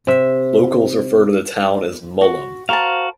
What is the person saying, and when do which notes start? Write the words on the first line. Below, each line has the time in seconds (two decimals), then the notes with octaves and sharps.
Locals refer to the town as "Mullum".
0.07 C3 E5
2.21 F#4
2.69 F#4 A#4 C5 F5 A5